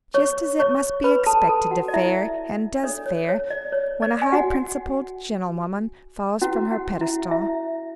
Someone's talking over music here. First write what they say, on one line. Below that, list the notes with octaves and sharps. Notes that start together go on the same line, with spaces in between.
Just as it must be expected to fare, and does fare, when a high-principled gentlewoman falls from her pedestal.
C#5 C#6
C#5 C#6
B4 B5
A4 A5
A4 A5
F#4 F#5
D5
E4 E5
D4 A4 C#5 D5
C#5
C#5
D5
C#5
D5
G#5
F#4 F#5
C#4 E4 F#4 B4 F#5
F#4 F#5
E4 E5
E4 E5